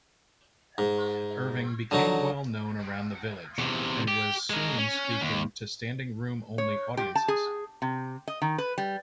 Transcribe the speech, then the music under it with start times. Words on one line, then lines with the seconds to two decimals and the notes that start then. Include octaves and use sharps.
Irving became well-known around the Village, and was soon speaking to standing-room-only audiences.
0.78 G#2
1.91 D3 F#3 D#4
3.59 E2 C3
4.08 G4
4.50 G#3 A#4
4.78 C#4
5.21 D#2
6.58 C#5
6.97 G4
7.15 A5
7.28 G#4
7.82 C3
8.28 D#5
8.42 D#3
8.58 B4
8.78 G3